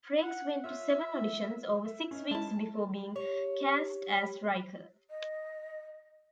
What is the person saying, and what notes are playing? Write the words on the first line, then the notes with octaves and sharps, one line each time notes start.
Frakes went to seven auditions over six weeks before being cast as Riker.
F#5
F4 C#5 E5 F6
E5
C#4 D#4
G#3 E4 A5
G4 C#5
D#5